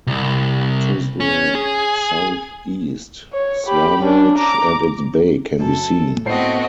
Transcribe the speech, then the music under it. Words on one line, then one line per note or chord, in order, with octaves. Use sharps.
To the south-east Swanage and its Bay can be seen.
C2
C#4
G#4
C#5
G4 B5
C#4 D4
A#5 D6
F#2 A4
A2 B3 C4 F#4 A4 C5 D#5 C7